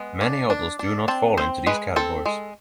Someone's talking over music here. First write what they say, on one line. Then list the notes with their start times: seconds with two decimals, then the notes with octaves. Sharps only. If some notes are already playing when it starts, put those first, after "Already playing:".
Many others do not fall into these categories.
Already playing: G#3 B3
0.21 D4
0.50 D4
0.79 D4
1.08 C4 A5
1.37 C4 C5
1.66 G#3 B4
1.96 C4 A4
2.26 G#3